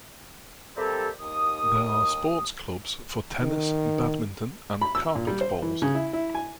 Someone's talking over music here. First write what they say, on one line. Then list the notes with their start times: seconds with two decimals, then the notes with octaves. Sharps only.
There are sports clubs for tennis, badminton and carpet bowls.
0.76 C3 G3 A#3 C4 G4 A4
1.20 D#2 D#6
3.41 D#3
4.81 B5
4.95 E6
5.15 A#2
5.27 G3
5.41 C5
5.62 E3
5.82 C#3
5.95 E4
6.13 E4
6.35 G#5